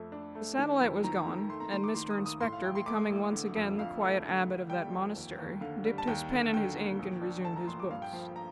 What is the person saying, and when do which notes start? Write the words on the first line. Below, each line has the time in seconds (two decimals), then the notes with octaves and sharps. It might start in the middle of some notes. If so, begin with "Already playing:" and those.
The satellite was gone; and Mr Inspector, becoming once again the quiet Abbot of that Monastery, dipped his pen in his ink and resumed his books.
Already playing: F2 A3
0.12 D4
0.35 A3
0.58 D#3
0.81 F2
1.04 D#3 A#5
1.27 D#3
1.49 A3 C6
1.60 A#5
1.72 D#3 C6
1.84 D6
1.95 D#3 C6
2.10 D#6
2.19 D#2
2.26 D#6
2.40 A2 C6
2.53 F5
2.63 A1 G5
2.75 C6
2.86 A3 D6
3.10 A1
3.33 D3
3.55 F2
3.78 F2 F5
4.01 A3
4.25 D3
4.47 D3
4.70 G3 G5
4.92 F2
5.16 D#2
5.39 D#2
5.61 D3 F5
5.85 G3
5.98 A5
6.07 D#2 G5
6.30 D3
6.53 D3 G5
6.76 D#2
6.99 A#1
7.21 D4
7.45 A3 A5
7.56 A#5
7.68 A#1 C6
7.80 D6
7.91 G2 F5
8.02 G5
8.13 F3 F5
8.36 A#5